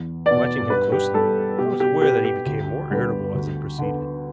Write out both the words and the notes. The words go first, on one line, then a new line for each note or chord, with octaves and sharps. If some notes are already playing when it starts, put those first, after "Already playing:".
Watching him closely, I was aware that he became more irritable as he proceeded.
Already playing: E2
B2 B3 D5
G2 B4
G4
G3 B3 A4
B2 G4
G4
B3 G4
G4
D2
D3 G3 B3
D2
D3 B3